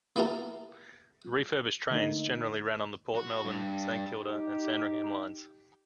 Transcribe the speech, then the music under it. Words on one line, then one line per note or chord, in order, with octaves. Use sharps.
The refurbished trains generally ran on the Port Melbourne, Saint Kilda and Sandringham lines.
A#3 B3 E4 G4 A4 A#4
D3 A3 A#3 D#4
F#4
G2
D#4 G4